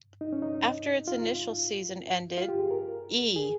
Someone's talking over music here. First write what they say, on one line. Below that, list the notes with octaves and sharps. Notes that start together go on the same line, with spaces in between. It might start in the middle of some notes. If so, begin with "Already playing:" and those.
After its initial season ended, E!
D#4
C#4
D#4
F4
F4
G4
G#4
A#4
G#4